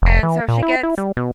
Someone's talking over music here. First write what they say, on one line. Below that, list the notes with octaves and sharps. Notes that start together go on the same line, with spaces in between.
and so she gets
F1
E3
A#2
E4
E4
G3
B2